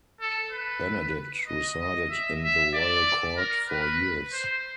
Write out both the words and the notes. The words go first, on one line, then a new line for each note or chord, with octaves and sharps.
Benedict resided in the royal court for years.
A4
B4
D#5
D#5
E5
E5
D5
A#4
B4
C5